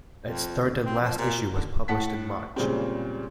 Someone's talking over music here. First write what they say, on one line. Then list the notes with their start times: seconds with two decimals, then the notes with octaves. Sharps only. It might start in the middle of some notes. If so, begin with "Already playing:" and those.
Its third and last issue was published in March.
0.23 F2
0.61 D2
0.85 C4
1.00 F3
1.17 A#2
1.52 D3
1.88 A2 F#5 A5 B6
2.56 A#2 C#3 G3 G#3 C4